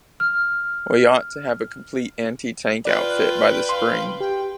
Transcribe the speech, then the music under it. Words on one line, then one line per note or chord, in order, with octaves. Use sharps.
We ought to have a complete anti-tank outfit by the spring.
F6
F4 B4 D5 G5 F#6
F5 C6
G4 G5